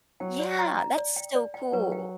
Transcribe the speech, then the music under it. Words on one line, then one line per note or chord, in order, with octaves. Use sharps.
Yeah, that's so cool.
F#3 G5
D5
A#5
A#5
D5
G5
D5
G5
F#3 B4
G5